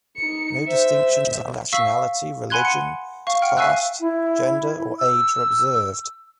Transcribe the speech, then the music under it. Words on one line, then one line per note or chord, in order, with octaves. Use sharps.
No distinctions of nationality, religion, caste, gender, or age are observed.
D#4 C#7
C5 E5
F5 C#6 E6 B6
F#5 G#5 B5 C6 F#6 G#6
C#7
F5 C#6
F#5 G5 F6
E5 F5 G#5 C#6 E6 F#6
E4
E6